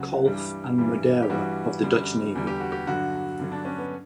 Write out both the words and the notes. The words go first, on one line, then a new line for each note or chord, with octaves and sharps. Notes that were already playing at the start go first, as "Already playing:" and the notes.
Kolff and Modera of the Dutch Navy.
Already playing: C#2 C#3 F#3 F#4
G2 E3 G3
G2 E3 G3
G4
G2 E3 G3 F#4
F#2 D3 G3
E2 D3 G3
G4
F#4
G4
G2 D3 F#3 F#4
G2 D3 F#3
D4
C#4
B3